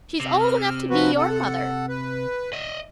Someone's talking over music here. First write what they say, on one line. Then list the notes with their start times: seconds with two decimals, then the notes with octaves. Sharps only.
She's old enough to be your mother.
0.20 C3
0.40 F6
0.90 F3 F#4 B4
1.17 A4 F#5
1.89 B4
2.53 D#5 E5